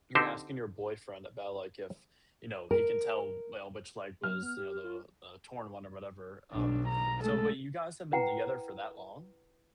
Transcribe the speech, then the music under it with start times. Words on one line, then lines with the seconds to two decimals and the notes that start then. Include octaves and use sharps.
you're asking your boyfriend about, like, if, you know, he can tell, well, which leg was, you know, the, uh, torn one or whatever, um, so but you guys have been together for that long?
0.15 D3 C4 D#4 G4 C5 F#5
2.71 A#4
4.24 F#3 F6
4.43 B3
4.57 G4
4.84 F4
6.52 B1 D4
6.88 A#5
7.23 G#3 A3 A4
8.13 E4 B4 F#5 G5 A#5